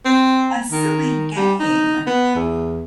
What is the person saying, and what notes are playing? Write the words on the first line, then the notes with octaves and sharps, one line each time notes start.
a silly game.
C4
D#3
G3
D#4
B3
E2